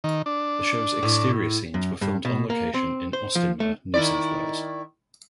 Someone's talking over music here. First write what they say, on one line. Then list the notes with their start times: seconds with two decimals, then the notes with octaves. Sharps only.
The show's exterior scenes were filmed on location in Austinmer, New South Wales.
0.04 D#3
0.26 D4
1.03 A2
1.74 F#2
2.01 G2
2.25 B2
2.50 A#3
2.74 C4
3.13 C5
3.35 F3
3.60 A3
3.94 D#3 E4 D5